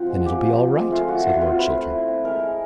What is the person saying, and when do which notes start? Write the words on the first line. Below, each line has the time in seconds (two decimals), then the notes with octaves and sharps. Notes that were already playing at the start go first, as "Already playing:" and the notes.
"Then it'll be all right," said Lord Chiltern.
Already playing: F3 C4 F#4
0.10 G#3
0.26 F3 G4
0.42 F3
0.58 C4
0.76 G#3
0.91 A3 F4
1.08 A3 F#4
1.25 E4 F4
1.35 F#4
1.41 C4 F4
1.58 A3 B4
1.75 A3
1.90 E4
2.08 C4
2.24 G#3 A#4
2.40 G#3